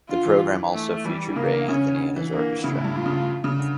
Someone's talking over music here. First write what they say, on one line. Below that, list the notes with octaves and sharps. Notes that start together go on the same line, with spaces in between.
The program also featured Ray Anthony and his orchestra.
D3 F4
E3
A3
E3 G3
D3
C#3 A#3
D3
C#3 C#4
D3
E3
D3 A#3
C#3 E4
A2
G2
A2 F4
C#3
C#3
D3